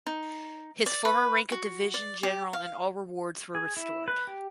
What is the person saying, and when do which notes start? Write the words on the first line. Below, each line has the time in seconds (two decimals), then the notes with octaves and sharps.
His former rank of division general and all rewards were restored.
0.06 D#4
0.86 D5
1.05 B4
1.52 F#4
1.94 D5
2.23 G4
2.53 F5
3.55 G#4
3.77 E4
4.08 B4
4.27 G4